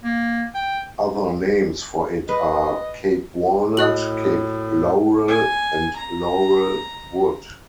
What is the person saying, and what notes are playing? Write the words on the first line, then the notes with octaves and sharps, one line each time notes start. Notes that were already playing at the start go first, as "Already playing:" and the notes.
Other names for it are Cape Walnut, Cape laurel, and laurel wood.
A#3
G5
B4 D#5
A2 F#4 D#5 D#6 F#6 F#7
G#5
A#5